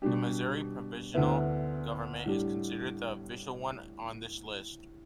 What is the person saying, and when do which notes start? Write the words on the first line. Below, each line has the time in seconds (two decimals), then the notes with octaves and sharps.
The Missouri Provisional Government is considered the official one on this list.
0.02 B2 G3 D4 G4
1.14 D2 D3 B3 E4
2.26 A2 G3 D4 G4